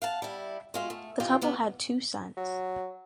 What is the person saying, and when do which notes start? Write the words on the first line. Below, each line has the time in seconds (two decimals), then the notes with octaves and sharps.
The couple had two sons.
0.02 F5 F#5 A5
0.22 G3 E4
0.74 G#3 F4 F#4
0.90 A3
1.20 B2 E3 F4 G4 D#5 G5
1.41 A2 B3 G4
2.37 F#3